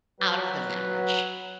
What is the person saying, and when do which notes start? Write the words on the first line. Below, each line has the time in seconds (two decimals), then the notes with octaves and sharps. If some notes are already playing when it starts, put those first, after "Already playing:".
out of the marriage?
0.20 F#3 B4